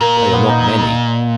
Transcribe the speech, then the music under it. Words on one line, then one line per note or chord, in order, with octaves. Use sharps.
They are not many.
A#2 A#4
A#4
B3
D#4